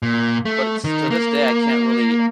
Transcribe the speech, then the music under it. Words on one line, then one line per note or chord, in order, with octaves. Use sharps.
but to this day, I can't really
A#2
A3
D#3
A#3